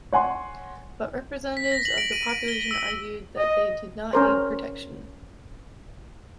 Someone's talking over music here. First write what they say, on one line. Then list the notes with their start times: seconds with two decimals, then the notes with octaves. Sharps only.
But representatives of the population argued that they did not need protection.
0.13 C#5 F#5 G#5 C6
1.57 B6
1.72 A#6
1.85 F#7
1.98 D7
2.12 D#7
2.29 D7
2.48 G7
2.71 E6
3.37 D#5
4.13 C#4 A#4 C5